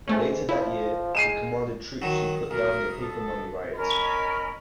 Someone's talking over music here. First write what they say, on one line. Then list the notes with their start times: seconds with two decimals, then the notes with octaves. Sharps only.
Later that year, he commanded troops who put down the Paper Money Riot.
0.08 G#2 A3 C#4
0.49 F3 E4
1.15 G#3 C7 D#7 E7
2.02 D#3 F#3 D#6
2.51 B1 A#4
3.01 A4
3.75 C#4 A#4 D#5 B5